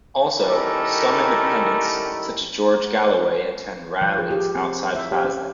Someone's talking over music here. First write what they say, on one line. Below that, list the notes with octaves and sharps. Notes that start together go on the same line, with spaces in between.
Also, some independents, such as George Galloway attend rallies outside Faslane.
D#3 G3 A3 C#4 E4 A#4
F3
G#4
G4
C4
E5
G4
C#4